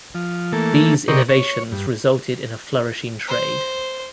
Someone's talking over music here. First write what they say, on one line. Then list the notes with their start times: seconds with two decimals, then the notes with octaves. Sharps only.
These innovations resulted in a flourishing trade.
0.15 F3
0.53 E3 A3 A#3 A4
1.08 C3 G4 A#4 D5 D#5 C#6
1.29 C#5
1.72 G2
3.27 C5